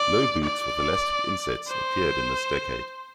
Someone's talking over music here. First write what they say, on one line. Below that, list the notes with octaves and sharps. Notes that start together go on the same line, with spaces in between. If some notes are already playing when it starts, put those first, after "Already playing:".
Low boots with elastic insets appeared in this decade.
Already playing: D5
D5
C5